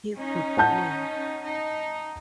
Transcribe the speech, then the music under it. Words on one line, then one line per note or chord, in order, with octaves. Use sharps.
He could play.
C#4 D#4
F#5 A5 G6
D#4